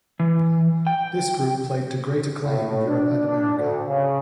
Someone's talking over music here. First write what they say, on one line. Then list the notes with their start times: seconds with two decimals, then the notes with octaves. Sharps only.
This group played to great acclaim in Europe and America.
0.19 E3
0.87 G5
2.44 A2
2.87 D4
3.26 D4
3.58 D2
3.86 C#3